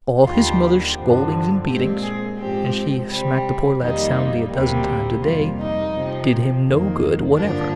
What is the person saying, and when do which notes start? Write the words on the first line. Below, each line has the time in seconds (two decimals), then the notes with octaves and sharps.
All his mother's scoldings and beatings--and she smacked the poor lad soundly a dozen times a day--did him no good whatever.
0.24 D#2 D3 G3 F4
0.95 G2 D3 F3 C4
1.66 A#2 G#3 C4 G4
2.01 G#4
2.37 G#2 F3 C4 G4
3.08 C3 G3 C4
3.79 F2 D#3 G3 A#3 D#4
4.51 D2 C3 G3 A#3
5.22 F2 C3 G3 A#3 F4
5.57 D#4
5.93 C3 F3 C4
6.64 F2 D#3 A#3
7.35 G2 D3 F3 A#3 D4